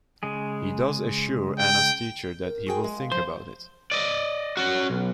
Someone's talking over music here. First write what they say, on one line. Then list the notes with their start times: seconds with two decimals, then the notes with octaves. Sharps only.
He does assure Ana's teacher that he will think about it.
0.23 C#3 G#3 G#4
1.59 G5
2.41 A#4
2.66 F#4 G#4 G5
2.84 G#3
2.98 F5
3.12 F3 C5
3.92 D5 D#5
4.57 C#4 F#4
4.90 B1